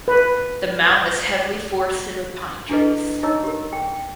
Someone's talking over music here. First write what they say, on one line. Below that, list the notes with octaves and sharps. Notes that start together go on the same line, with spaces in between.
The mountain is heavily forested with pine trees.
B4
D4 E4 G#4 A4 B4 D#5
D#4 G#4 C#5 D#5 A#5 E6
G4 A#4
G#4 G5